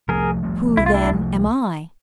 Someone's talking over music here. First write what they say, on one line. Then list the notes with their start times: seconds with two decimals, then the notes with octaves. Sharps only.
"Who, then, am I?"
0.08 C2 C3 F3 A3 G#4 A#4
0.43 C2 C3 F3 A3
0.77 C2 C3 F3 A3 E4
0.86 F4
0.94 D4 E4
1.11 C2 C3 F3 A3